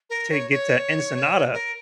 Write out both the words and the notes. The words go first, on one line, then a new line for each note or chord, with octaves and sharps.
to get to Ensenada
A#4
C#5
C#5
A#4